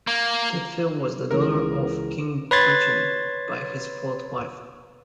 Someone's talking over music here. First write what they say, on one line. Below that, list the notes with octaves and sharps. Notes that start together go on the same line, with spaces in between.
Tydfil was the daughter of King Brychan by his fourth wife.
A#3
C#2 E3 G#4 A#4
B4 C#5 B5 C6 G#6 A6